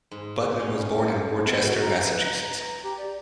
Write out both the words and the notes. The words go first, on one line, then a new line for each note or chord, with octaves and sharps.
Butman was born in Worcester, Massachusetts.
G#2
C#4
F4
B3
F#4
A#5
B4
A#5
G4
D5